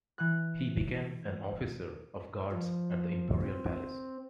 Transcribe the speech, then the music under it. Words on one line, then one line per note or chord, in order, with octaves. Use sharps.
He became an officer of guards at the Imperial palace.
E3 F#6
F3
C4